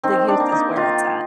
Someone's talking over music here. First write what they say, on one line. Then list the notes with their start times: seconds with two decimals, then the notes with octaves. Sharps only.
The youth is where it's at.
0.03 D#3 C4
0.28 D4
0.40 A#3
0.52 D#4
0.76 D#3 F4